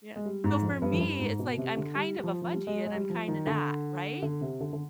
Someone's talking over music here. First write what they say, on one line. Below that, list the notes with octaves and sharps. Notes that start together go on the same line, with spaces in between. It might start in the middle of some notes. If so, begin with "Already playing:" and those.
Yeah, so for me, it's like I'm kind of a fudgy, and I'm kinda not, right?
G#3
G3
G#2
F2
G2
F2
G2
G#2
B2
C3
D3
G3
G3
F3
F3
G3
G#3
G#3
G3
F3
D#3
D3
D3
C3
D3
D3